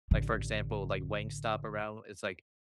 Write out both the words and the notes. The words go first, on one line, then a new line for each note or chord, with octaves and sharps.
like for example, like Wingstop, around w it's like
A1 D3